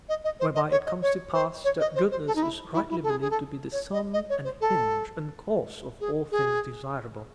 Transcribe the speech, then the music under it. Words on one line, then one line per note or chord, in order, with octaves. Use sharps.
Whereby it comes to pass that goodness is rightly believed to be the sum and hinge and cause of all things desirable.
D#5
D#5
C5
D#5
C#5
D#5
C#5
C5
C#5
D#5
C5
C5
A4
D#4
E4
E4
E4
A4
G#4
G#4
A4
C#5
D#5
D#5
C#5
C5
A4
G#4
G#4